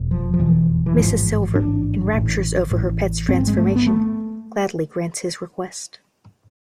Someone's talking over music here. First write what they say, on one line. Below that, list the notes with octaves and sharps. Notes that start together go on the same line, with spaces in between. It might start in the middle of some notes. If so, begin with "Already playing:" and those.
Mrs Silver, in raptures over her pet's transformation, gladly grants his request.
Already playing: F1 E2 B2
F3
F3
F1 E2 B2 E3
E3
A1 G#2 F3
A1 G#2 D4
A1 A2
A1 A2
G#1 G#2 C4
G#3
A3
B3
A3